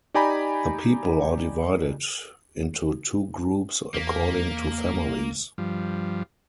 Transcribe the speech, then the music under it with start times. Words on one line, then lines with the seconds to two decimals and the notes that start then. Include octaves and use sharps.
The people are divided into two groups according to families.
0.14 D#4 G4 D5 G#5 A#5 B5
3.94 E2 A#3 B6
5.58 G2 F3